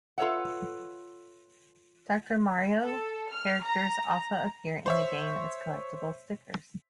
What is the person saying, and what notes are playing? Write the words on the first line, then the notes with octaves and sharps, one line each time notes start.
"Doctor Mario" characters also appear in the game as collectible stickers.
F4 A4 B4 C#5 E5 F#5
A4
F6
A#5
A#5
C5 C#5 E5